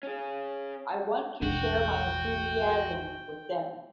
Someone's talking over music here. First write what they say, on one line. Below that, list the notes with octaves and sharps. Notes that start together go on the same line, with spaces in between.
I want to share my enthusiasm with them.
C#4 G#4
E1 A1 D4 F#4 G5